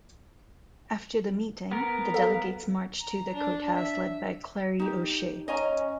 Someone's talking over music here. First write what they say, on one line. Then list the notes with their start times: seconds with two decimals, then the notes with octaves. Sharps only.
After the meeting the delegates marched to the courthouse led by Clarrie O'Shea.
1.71 B3 A#4
2.14 A4 F5
3.01 A#5
3.33 D4
3.75 E5
4.80 D#4 G4
5.48 C#4 D#5 G#5 A#5